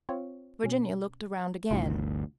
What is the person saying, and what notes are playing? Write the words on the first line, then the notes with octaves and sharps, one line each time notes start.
Virginia looked around again.
C4 F4 C#5
B2 C#4
G1 D2 C3 E4 F4